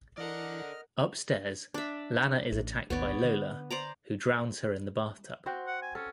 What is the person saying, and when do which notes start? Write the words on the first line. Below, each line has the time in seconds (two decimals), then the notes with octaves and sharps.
Upstairs, Lana is attacked by Lola, who drowns her in the bathtub.
0.18 E3 A4 A#4 D5 D#5 F#5 F6
1.74 D4 E5
2.52 A1
2.90 A1 D#2 B3 C#5 D5
3.24 D3
3.71 C5 D5 A#5
5.46 C4 F#4 C5
5.67 F#5
5.82 G#5
5.95 C#4 A4